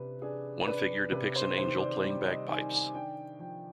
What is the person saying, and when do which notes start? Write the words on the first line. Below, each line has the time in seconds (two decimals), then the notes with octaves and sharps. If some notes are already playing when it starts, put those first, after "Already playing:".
One figure depicts an angel playing bagpipes.
Already playing: C3 D4 B4
0.22 D4 G#4
0.67 D4 B4
1.12 C3 B4
1.36 C5
1.57 D#3 C5
1.80 D5
2.03 G3 D5
2.27 D#5
2.49 D#3 G#5
2.72 G#5
2.94 D4 G5
3.39 F3 G5